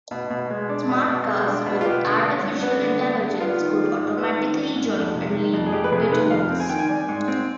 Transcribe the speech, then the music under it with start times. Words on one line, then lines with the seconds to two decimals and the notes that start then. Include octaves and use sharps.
Smart cars with artificial intelligence could automatically join and leave platoons.
0.11 B2
0.30 B2
0.50 G#3
0.69 D4
0.88 B2
1.08 B2
1.27 G#3
1.47 D4
1.66 B2
1.81 F4
1.86 B3 G4
2.05 D3
2.24 G3
2.44 G2
2.63 B3
2.82 D3
3.01 G3
3.21 G2
3.40 B3 F4
3.60 D#3
3.79 G3
3.99 G#2
4.17 B3
4.37 D#3
4.56 G3
4.76 G#2
4.96 F2
5.15 C3
5.34 D#3
5.53 F2
5.66 G#4
5.73 F2 G4
5.84 B4
5.92 C3 G#4
6.12 D#3 B4
6.30 F2 F5
6.51 C4
6.60 G#5
6.70 D#3 G5
6.79 G#5
6.89 G3
7.09 G#2
7.28 C4